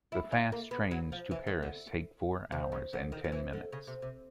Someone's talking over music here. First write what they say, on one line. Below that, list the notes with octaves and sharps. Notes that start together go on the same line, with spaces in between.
The fast trains to Paris take four hours and ten minutes.
E4
D#4
A#3
B3
F#3
F3
E3
D#3
D3
C3
C#3
D3
D#3
F3
E3
D3
C#3
C3
C3